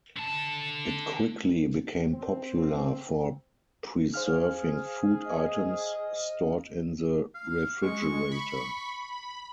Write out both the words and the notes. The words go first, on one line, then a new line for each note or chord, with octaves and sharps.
It quickly became popular for preserving food items stored in the refrigerator.
D3 A5
C4
G#4 C5 F5 F6
D#5
F5
G#3 C#6
B5